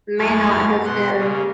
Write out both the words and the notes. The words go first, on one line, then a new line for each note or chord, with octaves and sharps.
may not have been
F#2 G#3 E4 C#5 F6 A6
B2 F#5 C6
C#3 A#3